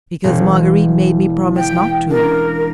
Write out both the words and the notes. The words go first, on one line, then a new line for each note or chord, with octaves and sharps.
"Because Marguerite made me promise not to."
E1
G5
D4 A#4